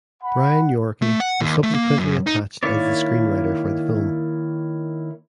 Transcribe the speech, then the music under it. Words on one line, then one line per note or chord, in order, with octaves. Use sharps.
Brian Yorkey was subsequently attached as the screenwriter for the film.
F#5 B5
A3
F#5
D#2
A3
A#3
F#2
D#4
D#3 A#3 E4 C#5 D5